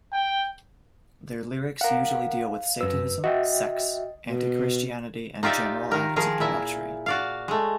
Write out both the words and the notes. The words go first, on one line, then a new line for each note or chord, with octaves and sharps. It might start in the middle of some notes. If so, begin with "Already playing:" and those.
Their lyrics usually deal with Satanism, sex, anti-Christianity, and general acts of debauchery.
G5
A#4 F5 F#5
F#2 B4 E6
F#4 D#5 E5 G5
B2
D#4 F4 G4 D5 E5
D#3 A#4
D#3 F3 G#4 A#4
A#2 E4 E5
F#4 D5 F5
G#3 A3